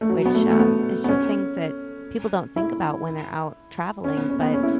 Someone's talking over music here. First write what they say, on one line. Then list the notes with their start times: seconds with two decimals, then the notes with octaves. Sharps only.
which, um, it's just things that people don't think about when they're out traveling, but,
0.01 A3
0.09 F#3
0.26 B3
0.35 A3
0.50 A3
0.59 B3
1.04 B3
1.09 C#4
2.56 E4
4.04 C#4
4.17 B3
4.29 C#4
4.41 B3
4.53 C#4
4.63 E4